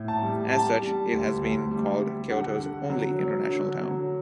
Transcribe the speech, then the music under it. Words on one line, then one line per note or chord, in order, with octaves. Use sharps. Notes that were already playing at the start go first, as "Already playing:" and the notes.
As such, it has been called "Kyoto's only international town".
Already playing: A2
A5
G3
G3 A5
G3
D2
D2
G3
G3
D3 F#5
D3
F#3
F#3
D3
F#3